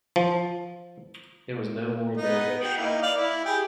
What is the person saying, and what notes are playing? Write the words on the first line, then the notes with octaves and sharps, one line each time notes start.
It was no more than a wish.
F3
B3 D#4 D#5
F#4 G5
A#3 D#4 E4
D5 F5
E4
G4 G#4